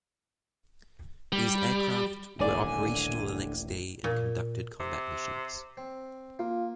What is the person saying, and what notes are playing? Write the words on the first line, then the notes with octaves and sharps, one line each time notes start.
These aircraft were operational the next day and conducted combat missions.
G3
D#1 A1 D3 D5 G#5
A#2
C3
C4
A#3 F4